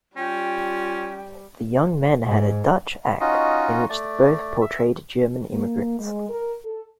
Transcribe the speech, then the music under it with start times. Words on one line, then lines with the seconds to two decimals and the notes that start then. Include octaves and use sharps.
The young men had a "Dutch act" in which both portrayed German immigrants.
0.17 G3 C#4 F4 G5
2.25 G#2
3.20 C#4 D#4 F4 F#4 D#5
3.89 A3 D5
4.61 E5
5.51 A#3
6.00 G#3
6.30 A#4
6.65 A4